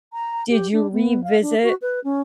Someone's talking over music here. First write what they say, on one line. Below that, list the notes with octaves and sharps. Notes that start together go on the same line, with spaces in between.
did you revisit
A#5
G4
D4
B3
F5
D4
F#4
B4
C#4